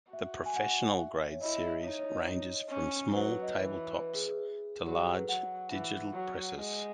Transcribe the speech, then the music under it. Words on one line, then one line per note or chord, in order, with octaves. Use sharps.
The professional grade series ranges from small table tops to large digital presses.
F#4 E5
G#5
F#5
E5
C#5
E4 D#5
D#4 C#5
C#5
D#5
C#5
C#4
F#3 B4
D#5
C#5
E3 B4
B4
G#4
G#4
F#3 G#4
A4
B4
F#3 F#5
E3
F#3
G#3